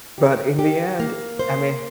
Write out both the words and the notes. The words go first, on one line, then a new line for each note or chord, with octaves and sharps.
But in the end, I mean
G4
G4
A#3
C5